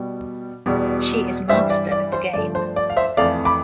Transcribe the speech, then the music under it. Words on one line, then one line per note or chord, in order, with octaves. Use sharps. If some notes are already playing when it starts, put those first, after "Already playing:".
She is master of the game.
Already playing: B2 G3
E2 B2 G3
G2 E3 G3 C5 E5
D5
D5
C5
G2 F3 A3 D5
C5
D5
F5
C5 E5
F2 E3 A3 D5 F5
B5 D6